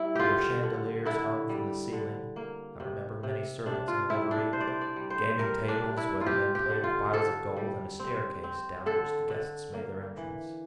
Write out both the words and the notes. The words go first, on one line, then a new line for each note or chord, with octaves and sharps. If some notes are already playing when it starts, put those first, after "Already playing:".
There were chandeliers hung from the ceiling, I remember, many servants in livery, gaming-tables where the men played with piles of gold, and a staircase down which the guests made their entrance.
Already playing: G3 E4
D3 F4 G4
D3
D3 E4
G3
D3
A#3
C3
C3
C3 D4
F4
G3 E4
D4
C3 C5
D5
C5
D5
G3
C5
G3 A#4
D4
C3
E4
F4
C4 G4
G4
D3
F4
D3 A4
G3
C4
C4
D3 A4
D3
A#3
E3